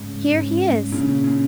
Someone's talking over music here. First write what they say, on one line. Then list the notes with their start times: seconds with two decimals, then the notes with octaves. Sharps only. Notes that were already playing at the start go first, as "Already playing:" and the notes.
Here he is.
Already playing: G#2 C#3 G#3 C#4
0.30 G#2 G#3 C#4
0.92 A#2 C#3 A#3 C#4
1.24 C#3